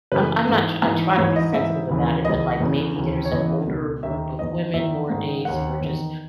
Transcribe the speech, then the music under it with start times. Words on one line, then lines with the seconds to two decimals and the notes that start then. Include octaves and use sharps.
I'm I'm not I try to be sensitive about it, but, like, maybe there's an older group of women more days, who are just
0.12 F#2 C#3 E3 B4
0.46 G#2 E3
0.82 G#2 E3
1.18 G#2 E3 C#5
1.36 D#5
1.53 G#2 E3 E5
1.89 D#2 C#3 E3
2.25 C#2 C#3 E3 D#5
2.60 E2 C#3 E3
2.96 D#2 C#3 E3
3.25 C#5
3.32 E2 C#3 E3 D#5
3.67 C#2 B2
4.03 D#2 D#3 E5
4.39 E2 D#3 D#5
4.74 E2 D#3 E5
5.10 G#2 D#3
5.45 D#2 D#3 F#5
5.81 E2 D#3